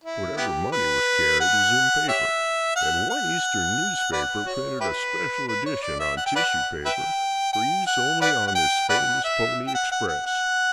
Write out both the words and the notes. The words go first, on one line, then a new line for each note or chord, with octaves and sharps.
Whatever money was carried was in paper, and one Eastern newspaper printed a special edition on tissue paper for use only on this famous Pony Express.
E4
B3 E4 G4
B4
F#5
G4 C#5 E5
F#5
F#5
B4 D5 F#5
F#4 C#5
E4 G4 B4
B4
C#5
D5
E5
F#5
G5
B4 D5 F#5
B4 E5 G5
G5
F#5
B4 D5 F#5
F#5
G5
B4 D5 F#5
E5
G5
F#5
F#5
F#5
F#5